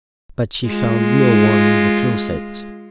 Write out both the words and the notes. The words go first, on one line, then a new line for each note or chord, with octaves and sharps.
But she found no one in the closet.
G#3 F4